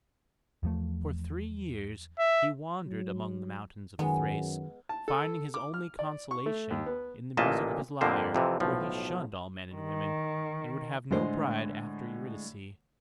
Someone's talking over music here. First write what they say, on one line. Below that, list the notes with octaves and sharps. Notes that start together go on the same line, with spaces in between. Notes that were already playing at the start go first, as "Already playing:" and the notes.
For three years he wandered among the mountains of Thrace, finding his only consolation in the music of his lyre, for he shunned all men and women and would have no bride after Eurydice.
E2 F3 A3
E5
F#3
F#2 D#3 G#3 B3
A5
A4
D6
F6
D5
C#6
A3
D#2
B3
A1 A#2 A#3 D#5 E5 A5
F2 D3 A#3 G4 C5
F2 C3 E3
B1 A2 F3
D#3
A2 D3 G#3 C5